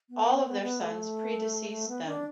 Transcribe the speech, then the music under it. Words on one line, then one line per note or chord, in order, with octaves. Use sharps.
All of their sons predeceased them.
B3
B3
B3
B3
A3
A3
B3
D4